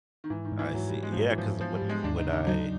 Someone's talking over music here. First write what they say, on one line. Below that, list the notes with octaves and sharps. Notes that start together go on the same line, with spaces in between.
I see. Yeah, 'cause when you when I
D#3
G#2 E3
D#3
G#2
E3
G#2 F#3
G3
G#2
G#3
F3
G#2 F#3
E3
G#2 F3
G#2 F3
G3
G#2
G#3
D#2 D4
D#4
C#3
D#4
F#3 D#4